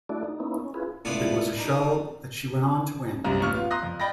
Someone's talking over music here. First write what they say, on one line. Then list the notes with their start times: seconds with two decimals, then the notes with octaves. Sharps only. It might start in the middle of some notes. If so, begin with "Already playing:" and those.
It was a show that she went on to win.
0.09 A3 D4 E4 F#4 D5
0.24 D#4
0.40 A#3 B3 C#4 D#4 E4
0.60 C#4
0.74 E4 F4 G#4 B4
1.05 C#2 A2 B3 E4 F4 D5
1.57 G3 D4 D#4
3.24 C2 F#2 C3 A#5
3.40 A1 A#2 C#6 F6
3.53 B3 F4
3.71 A#5 C6 D#6 F#6 A#6
3.83 F2
4.00 D5 D#5 G5 B5 A6 A#6